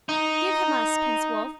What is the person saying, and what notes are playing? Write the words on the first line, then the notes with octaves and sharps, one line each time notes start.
'Give him us, Prince Wulf!
D#4